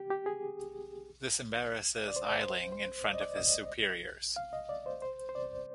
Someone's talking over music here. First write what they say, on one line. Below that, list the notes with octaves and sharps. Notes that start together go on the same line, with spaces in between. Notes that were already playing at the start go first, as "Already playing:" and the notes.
This embarrasses Eiling in front of his superiors.
Already playing: G4
G4
G#4
D5
C5
D5
C5
C5
D5
D#5
D5
D#5
F5
D#5
D5
C5
C5
C5
D5